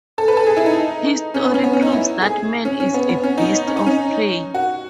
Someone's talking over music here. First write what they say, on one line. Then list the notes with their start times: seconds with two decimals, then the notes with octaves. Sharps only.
History proves that man is a beast of prey.
0.18 A4
0.28 B4
0.37 A4
0.47 G#4
0.57 E4
0.66 D#4
1.34 C#4
1.44 B3
1.54 C#4
1.64 B3
1.73 C#4
1.82 D#4
1.92 E4
2.22 G#4
2.65 C#4
2.80 C#4
2.94 B3
3.09 B3
3.23 C#4
3.38 D#4
3.67 C#4
3.77 D#4
3.86 C#4
4.54 F#4